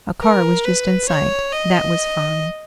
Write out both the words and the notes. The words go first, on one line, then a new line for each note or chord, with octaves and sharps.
A car was just in sight--that was fine!
A#4
B4
C#5
D#5